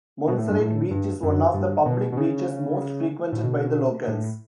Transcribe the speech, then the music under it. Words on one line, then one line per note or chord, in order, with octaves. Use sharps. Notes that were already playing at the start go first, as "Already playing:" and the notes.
Monserrate Beach is one of the public beaches most frequented by the locals.
B2
A2
G2
A2
G2
F#2
G2
B2
B2
C#3
A2
B2
A2